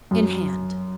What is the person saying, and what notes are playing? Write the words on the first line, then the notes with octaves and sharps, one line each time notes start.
"In hand."
F#2